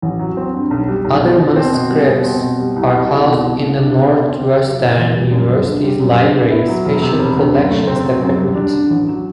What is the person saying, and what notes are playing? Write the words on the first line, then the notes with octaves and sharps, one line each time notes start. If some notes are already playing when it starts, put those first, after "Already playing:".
Other manuscripts are housed in the Northwestern University's Library special collections department.
A1
F#3
C4
G2
B1
G3
B1
B2
B2
C4
B2
G3
B2
C4
B2
G3
C2
G3
C2
B2
C2
A3
D4
B2
B2
C4
G4
F#3
F#1
E3
G3
F#2
G1
D3
G3
F#2
G2
B3
E4
F#3
E1
C3
E1
D2
F#2
A3
C4
F#3
F#2
G3
D4
D3
A1
F#3